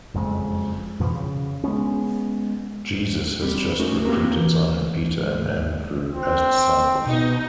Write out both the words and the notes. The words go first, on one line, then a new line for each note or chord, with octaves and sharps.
Jesus has just recruited Simon Peter and Andrew as disciples.
F#1 F2 C#3 G#3
F2 B2 E3 F3
C#3
G#3 A3 B3 C#4
G3 C4
A3 C#4 D#4 F#4 A#4
A#3 C4 F#4 G4 A#4 B4
E3
G#2
C4
B2 D#4